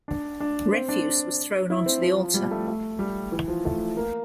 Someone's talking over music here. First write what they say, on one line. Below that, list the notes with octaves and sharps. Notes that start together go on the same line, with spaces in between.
Refuse was thrown onto the altar.
D4
D4
C4
D4
E4
C4
F3
G3
A3
A3
G3
E3
F3
A3
A#3